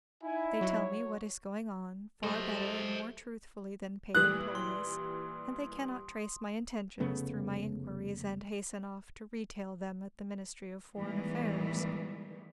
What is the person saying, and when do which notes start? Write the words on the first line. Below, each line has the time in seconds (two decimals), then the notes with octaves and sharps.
They tell me "what is going on," far better and more truthfully than paid employees, and they cannot trace my intentions through my inquiries, and hasten off to retail them at the Ministry of Foreign Affairs.
0.24 D#4 E4 G#5
0.61 F#3 C#5
2.23 F#3 A3 G4 A4 C5 D#5
4.15 A#2 E3 G3 D#6 F#6 F#7
4.55 C6
7.00 F1 C#3 A3 B3
10.95 A2 D#3 E3 G3 G#3 B3